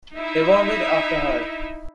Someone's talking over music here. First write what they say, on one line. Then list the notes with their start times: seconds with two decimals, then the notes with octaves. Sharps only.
He wandered after her.
0.15 D#4 E4 E5